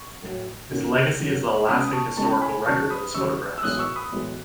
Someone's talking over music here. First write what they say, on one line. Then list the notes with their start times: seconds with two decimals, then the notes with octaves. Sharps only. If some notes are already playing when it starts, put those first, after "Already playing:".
His legacy is the lasting historical record of his photographs.
Already playing: C#6
0.22 A2 F#3 A3
0.71 F#2 D#3 F#3 A3
1.19 F#2 D#3 F#3 A3
1.68 C#2 B2 G#3 C#4 B5 D#6
1.88 D#6
1.93 A5 C#6
2.17 C#2 B2 G#3 C#4 A5 C#6
2.41 G#5 B5
2.66 D#2 C#3 F#3 A5 C#6
2.90 B5 D#6
3.15 D#2 C#3 F#3 C#6 E6
3.58 E6
3.63 B1 A2 E3 G#3 D#6 F#6
3.79 C#6 E6
3.96 B5 D#6
4.12 B1 A2 E3 G#3